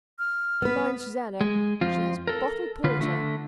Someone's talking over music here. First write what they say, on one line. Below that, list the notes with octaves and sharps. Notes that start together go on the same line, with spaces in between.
And mind, Susanna, she has bottled porter.
F6
B3 B4
G#3
F2 F3 C4 F4
A4 A#4
D3 F4 B4
D3 A3